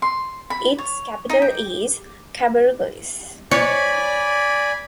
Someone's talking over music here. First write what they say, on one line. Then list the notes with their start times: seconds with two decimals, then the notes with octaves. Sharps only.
Its capital is Cabarroguis.
0.02 C6
0.50 B5
0.78 C#5
1.30 D#4
1.42 G5
3.51 C#5 D5 G#5 B5